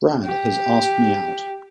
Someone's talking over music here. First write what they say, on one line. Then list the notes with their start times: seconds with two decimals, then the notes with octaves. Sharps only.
Brad has asked me out.
0.25 G4